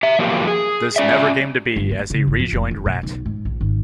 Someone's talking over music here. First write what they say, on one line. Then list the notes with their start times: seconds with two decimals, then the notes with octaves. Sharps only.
This never came to be, as he rejoined Ratt.
0.03 G4 E5
0.19 F3 F#3 A#3 F4 G4
0.47 G#4
0.96 C#4 D5 E5
1.76 G1
1.91 A#3
2.10 C#3
2.27 G#1
2.40 F3
2.52 F1
2.71 F2
2.86 B2
3.03 B1
3.26 G#2
3.45 A#1
3.61 G#1